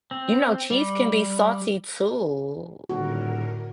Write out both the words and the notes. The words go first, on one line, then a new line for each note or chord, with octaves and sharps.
You know, cheese can be salty too.
C4
G3
D#1 A2 D3 F#4 A#4